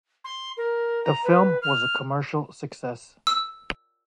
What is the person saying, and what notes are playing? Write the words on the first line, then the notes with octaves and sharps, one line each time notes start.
The film was a commercial success.
C6
A#4
A#5
B4
F6
E6